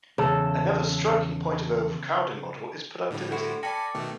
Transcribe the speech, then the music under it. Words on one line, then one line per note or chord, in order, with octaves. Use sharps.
Another striking point of overcrowding model is productivity.
E2 C#3 A4
A2 D3 G3
E4 F#4 A4 C5
A4 D5 G5 G#5 B5 A#6 C#7
B2 D#3 A3